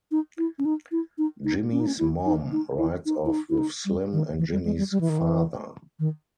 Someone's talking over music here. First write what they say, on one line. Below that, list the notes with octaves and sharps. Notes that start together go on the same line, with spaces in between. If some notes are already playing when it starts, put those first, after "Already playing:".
Jimmy's mom rides off with Slim and Jimmy's father.
D#4
E4
C#4
D#4
E4
D#4
D#4
C#4
D#4
C#4
E4
D#4
D#4
E4
D#4
E4
D#4
E4
D#4
G3
D#3
E3
G3
G#3
G3
G3
E3
D#3
E3
D#3